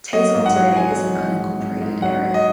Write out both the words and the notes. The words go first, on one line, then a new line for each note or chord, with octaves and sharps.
Tazewell today is an unincorporated area.
F#3 D#5
G#2
F#5
F#3
F#3 G#5
F#3
G#2
G#2
G#2
G#2
F#3 F#5
F#3
D#5